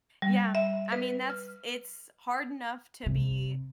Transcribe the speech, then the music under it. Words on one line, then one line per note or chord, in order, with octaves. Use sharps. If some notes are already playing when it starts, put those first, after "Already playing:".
Yeah. I mean, that's It's hard enough to be
G3
E5
B4
F6
C3